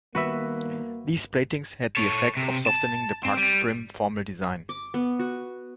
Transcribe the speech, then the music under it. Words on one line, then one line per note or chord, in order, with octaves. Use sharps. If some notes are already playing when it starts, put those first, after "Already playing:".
These plantings had the effect of softening the parks' prim formal design.
D#3 G3 A#3 B3 F#4 B4 E5
A4 C#5
C3
A5
C4
G3
D6
B3
F#4